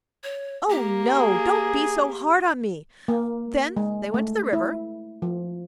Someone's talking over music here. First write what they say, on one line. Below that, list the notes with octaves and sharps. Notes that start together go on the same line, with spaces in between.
'Oh, no! Don't be so hard on me!' Then they went to the river.
C#5
A#3 G4
G#4
A#3
G#3
A3
E4
F3